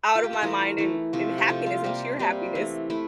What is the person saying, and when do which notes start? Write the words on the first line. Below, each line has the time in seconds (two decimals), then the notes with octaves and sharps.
out of my mind, and and happiness, and sheer happiness.
0.15 F4
0.24 G4
0.33 A4
0.43 E3 A3 A#4
0.78 E3 A3
1.13 C3 F3 A3
1.38 G4
1.49 C3 F3 A3 A4
1.66 F4
1.84 C3 G3 A#3 G4
2.19 C3 G3 A#3
2.55 E3 A3
2.90 A3 E4